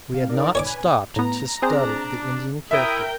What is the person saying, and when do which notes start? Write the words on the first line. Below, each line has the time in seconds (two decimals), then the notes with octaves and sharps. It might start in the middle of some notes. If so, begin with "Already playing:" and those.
We had not stopped to study the Indian character.
0.14 C3 F5
0.29 D#4 A#4 D5
0.55 B4 C#5 D5 G#5 D6
1.16 A2 B3 A#5
1.62 C4 D4 G#4 C5
2.71 E4 A#4 E5 G5 D#6